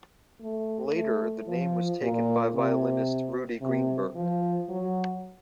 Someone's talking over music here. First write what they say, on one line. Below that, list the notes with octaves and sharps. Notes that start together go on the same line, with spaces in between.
Later, the name was taken by violinist Rudy Greenberg.
A3
A3
F3
A#2
C3
C3
F3
F#3